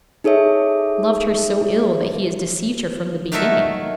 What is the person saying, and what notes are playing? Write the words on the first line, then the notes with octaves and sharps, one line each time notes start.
'Loved her so ill that he has deceived her from the beginning.'
D#4 G#4 A4 C#5 E5
D#3 F#3 A3 A4 A#4 E5